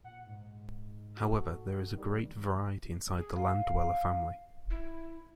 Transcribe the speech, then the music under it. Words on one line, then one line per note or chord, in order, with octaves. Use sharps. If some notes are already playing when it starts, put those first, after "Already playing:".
However, there is a great variety inside the landdweller family.
A#2 F#5
G#2
F#4 A4
D#3 G3
G#4
F5
E4